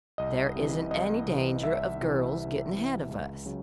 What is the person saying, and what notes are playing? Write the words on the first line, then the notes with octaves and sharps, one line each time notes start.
"There isn't any danger of girls getting ahead of us."
C2 D#5
C3 E3
C2 D#5
C3 E3
C2 E5
C3 E3
C2
C3 E3
C#2
C#3 F#3